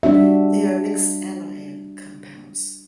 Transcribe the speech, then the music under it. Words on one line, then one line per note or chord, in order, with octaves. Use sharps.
They are mixed anion compounds.
G3 D4 F#4 E5